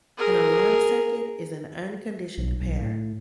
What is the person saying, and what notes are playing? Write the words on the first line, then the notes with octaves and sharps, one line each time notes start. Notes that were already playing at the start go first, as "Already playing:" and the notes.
An alarm circuit is an unconditioned pair.
G#4 A#4
B1
B1
A2